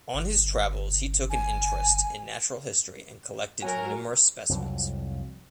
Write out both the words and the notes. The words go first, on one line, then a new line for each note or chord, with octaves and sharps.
On his travels he took an interest in natural history and collected numerous specimens.
G1
G#5
F#3 A#4 G#5
C2 F2 F#3